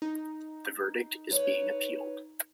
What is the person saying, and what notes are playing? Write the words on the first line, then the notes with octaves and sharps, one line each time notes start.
The verdict is being appealed.
D#4
B4 C#5